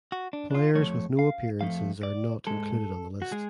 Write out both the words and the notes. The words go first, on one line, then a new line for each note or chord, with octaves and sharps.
Players with no appearances are not included on the list.
F#4
D4
D4
F4
F2 F3 A3 C#5
F5
F2 F3 A3 F5
D5
G#2 G#3 A4
F#4
G#3 G#4